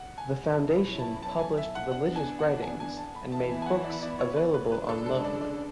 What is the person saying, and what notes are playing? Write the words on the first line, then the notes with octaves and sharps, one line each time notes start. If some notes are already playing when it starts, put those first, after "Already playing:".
The foundation published religious writings and made books available on loan.
Already playing: F#5
G#5
B2 F#3 C#4 E4 A5
B5
A5
A5
G#5
E5
F#5
E3 B3 D4 F#5
G#5
F#5
G#5
G#5
A5
B5
E3 B3 E4 A5
G#5
G#5
F#5
D5
D5
C#5
B4
B4
C#3 G#3 D4 B4
A4
A4
D5
D5